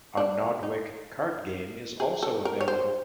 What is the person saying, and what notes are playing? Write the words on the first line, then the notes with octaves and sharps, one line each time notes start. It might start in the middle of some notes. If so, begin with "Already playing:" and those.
A "Nodwick" card game is also available.
D4
D#4
G#4
A4
A#4
C#5
C5